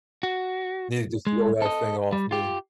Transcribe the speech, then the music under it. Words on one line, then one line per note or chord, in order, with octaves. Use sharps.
needed to throw that thing off me.
F#4
G#3
A4 D#5
G3
F4 G4